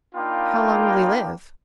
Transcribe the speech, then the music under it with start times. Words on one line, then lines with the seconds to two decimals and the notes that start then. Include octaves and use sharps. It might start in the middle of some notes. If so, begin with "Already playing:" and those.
"How long will he live?"
0.15 A#3 D4 D#4 F4 G5 B5